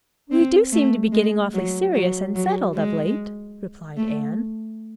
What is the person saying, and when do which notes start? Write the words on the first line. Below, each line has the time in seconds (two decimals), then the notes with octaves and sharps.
"We do seem to be getting awfully serious and settled of late," replied Anne.
0.31 C4
0.72 A3
1.13 G#3
1.54 F#3
1.94 F#3
2.35 F#3
2.75 G#3
3.97 A3